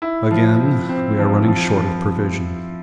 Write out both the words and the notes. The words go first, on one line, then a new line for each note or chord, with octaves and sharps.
Again we are running short of provision.
E4
F3
C4
C4
F3
F3
F3